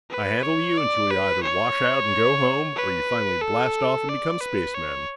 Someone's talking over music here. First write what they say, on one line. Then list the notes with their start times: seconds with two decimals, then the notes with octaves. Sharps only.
I handle you until you either wash out and go home, or you finally blast off and become spacemen.
0.11 B4
0.43 C#5
0.77 D5
1.10 B4
1.43 C#5
2.76 B4
3.41 A4
4.09 D5
4.41 B4
4.74 C#5